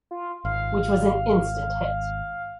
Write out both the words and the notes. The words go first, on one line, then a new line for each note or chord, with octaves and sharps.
Which was an Instant hit.
F4
G#1 F5